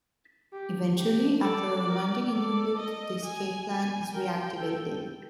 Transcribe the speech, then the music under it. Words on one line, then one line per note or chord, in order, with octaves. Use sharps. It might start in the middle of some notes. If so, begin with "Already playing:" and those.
Eventually, after a romantic interlude the escape plan is reactivated.
G4
G4
A4 D5
A#4
A4 D5
D#5
G#5
G#5
A#4 G5
A4